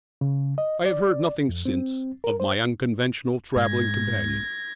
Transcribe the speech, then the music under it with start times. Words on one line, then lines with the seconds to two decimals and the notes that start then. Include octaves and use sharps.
I have heard nothing since of my unconventional travelling companion.
0.21 C#3
0.58 D#5
0.86 D5
1.49 F2
1.65 C4
2.24 A#4
2.40 C5
3.56 G#2 G#6 A#6